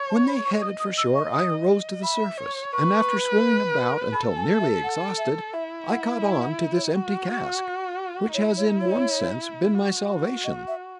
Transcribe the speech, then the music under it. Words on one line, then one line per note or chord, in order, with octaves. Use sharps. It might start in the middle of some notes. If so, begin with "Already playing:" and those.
When they headed for shore I arose to the surface, and after swimming about until nearly exhausted, I caught onto this empty cask, which has in one sense been my salvation.
Already playing: C#5
A5
B5
C#6
D#5 D#6
D#6
E6
C#6
D#6
E5 B5
C#5
B4 C#6
A4 B5
G#5
E5
F#5
E5
E4 E5
F#5
G#5
F#5
E5
C#5
F#4
E4 C#5
C#5
C#5
F#4
D#5
E5